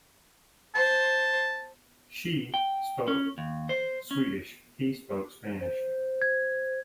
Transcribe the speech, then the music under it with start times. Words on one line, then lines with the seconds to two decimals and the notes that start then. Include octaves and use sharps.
She spoke Swedish, he spoke Spanish.
0.75 C5 A5
2.54 G5
3.08 C#4
3.38 D#2
3.69 C5
4.11 C#4
5.60 C5
6.22 G#6